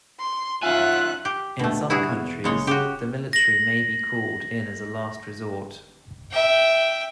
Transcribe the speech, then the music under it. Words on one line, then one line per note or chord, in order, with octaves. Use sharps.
In some countries, the military may be called in as a last resort.
C6
D#3 F#3 C#4 F4 E5 F#5 G#5 F#6
G4
D2 B2 A3
G2 E4 F#4 G#4
E2
F#1 C#3 G#3 C#5
C#3 F#4 G4
A#6 F#7
E5 G5